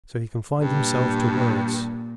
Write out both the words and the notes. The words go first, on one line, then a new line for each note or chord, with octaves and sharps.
So he confined himself to words.
G2 A#2